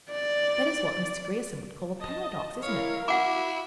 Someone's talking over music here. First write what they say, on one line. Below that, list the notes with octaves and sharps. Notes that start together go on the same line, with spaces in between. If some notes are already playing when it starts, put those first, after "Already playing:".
That is what Mr. Grierson would call a paradox, isn't it?
D5
D#5 A5
E4 A#4 C#5 F5
E4 F#4 F5 F#5 D6